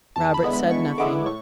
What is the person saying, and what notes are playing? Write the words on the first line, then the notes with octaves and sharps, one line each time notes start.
Robert said nothing.
E2 A5
B5
D3 G#3 B3 E4
B5
E2 C#6
D3 G#3 B3 E4 D6
A2 C#6